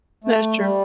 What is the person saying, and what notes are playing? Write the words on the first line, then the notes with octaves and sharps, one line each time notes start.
That's true.
A3
G3